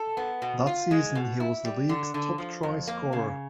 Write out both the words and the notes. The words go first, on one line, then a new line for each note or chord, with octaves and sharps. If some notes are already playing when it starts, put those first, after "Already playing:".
That season he was the League's top try-scorer.
Already playing: A4
B3
B2
F4
G#3
B2
E4
G3
D3
D3
F3
F2
A#3
C#3